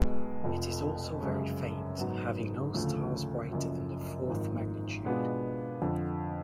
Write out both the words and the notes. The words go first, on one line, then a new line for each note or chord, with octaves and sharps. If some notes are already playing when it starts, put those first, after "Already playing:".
It is also very faint, having no stars brighter than the fourth magnitude.
Already playing: B1 B2 G#3 B3
F1 F2 F3
F#2 C#3 G#3 C#4
G#2 F#3 B3
D2 C#3 F3 A3
F#1 F#2 F3
G#1 G#2 F3
B2 G#3 B3 D4 F4
F2 D3 F3